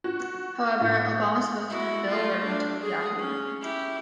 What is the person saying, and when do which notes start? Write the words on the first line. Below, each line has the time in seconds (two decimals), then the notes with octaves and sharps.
However, Obama spokesman Bill Burton told Yahoo!
0.04 F#4
0.81 A2
1.69 E4 F#4
2.09 A3 F4
2.44 D4
2.81 G#4
3.18 C#4
3.61 E4 G4